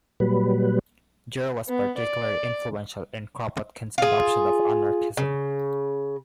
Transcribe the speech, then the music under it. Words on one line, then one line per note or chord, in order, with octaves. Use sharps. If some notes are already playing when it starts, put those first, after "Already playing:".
Jura was particularly influential in Kropotkin's adoption of anarchism.
A#2 F#3 G3 B4
B3
D5
F4 G#4
C#3